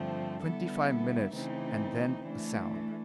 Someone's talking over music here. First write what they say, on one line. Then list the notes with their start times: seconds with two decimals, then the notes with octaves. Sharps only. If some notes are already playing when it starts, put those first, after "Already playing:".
Twenty-five minutes, and then a sound.
Already playing: G2 D3 F3 A3 C4
0.43 D3 G3 B3 E4 A4
1.33 C#3 E3 A3 C4 D#4
2.23 E3 A3 D4